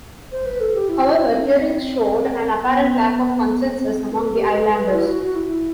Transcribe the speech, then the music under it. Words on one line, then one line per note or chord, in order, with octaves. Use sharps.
However, hearings showed an apparent lack of consensus among the islanders.
C5
B4
A4
G4
E4
F#4
E4
C4
D4
C4
B3
C4
B4
A4
G4
B4
B4
E4
F#4
F#4
E4